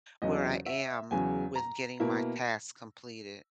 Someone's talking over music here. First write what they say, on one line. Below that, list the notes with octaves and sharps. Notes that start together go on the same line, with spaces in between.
where I am with getting my tasks completed.
E2 C#3 F#3 D#5
E5
E2 C#3 F#3 G#5
A#5
B2 A#3 E4